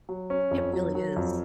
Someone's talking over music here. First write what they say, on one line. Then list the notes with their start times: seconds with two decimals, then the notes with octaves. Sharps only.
It really is.
0.09 F#3
0.30 C#4
0.51 F2
0.73 F#3
0.95 F#3
1.16 F2